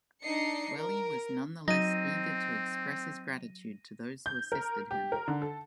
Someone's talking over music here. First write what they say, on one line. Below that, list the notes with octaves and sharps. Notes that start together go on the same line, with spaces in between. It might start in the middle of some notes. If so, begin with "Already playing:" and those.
Dwelly was nonetheless eager to express his gratitude to those who assisted him.
D4 D#4 D#5 C7 C#7
A#4
F#3 C4 D#4 A#6 D#7
G6
A#4
G4
A#4
D3
A4